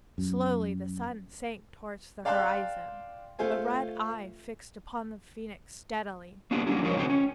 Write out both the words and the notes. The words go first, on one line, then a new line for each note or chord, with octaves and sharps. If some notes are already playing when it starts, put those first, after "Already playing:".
Slowly the Sun sank towards the horizon, a red eye fixed upon the Phoenix steadily.
F#2
D5 F5 G5 A5 C6 F#6
A3 F4 C5 G#5
A#3 B3 D4 F4 G4
F#3 G3 A#3 C#4 D4 E4
F3 F#3 G#3 D#4 A#4 C#5
C#3 G#3 C4 F4 F#4 G5
C#4